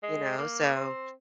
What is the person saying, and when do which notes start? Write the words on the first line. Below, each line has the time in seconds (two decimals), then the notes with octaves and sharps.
You know? So
0.03 G#3
0.38 A#3
0.74 C4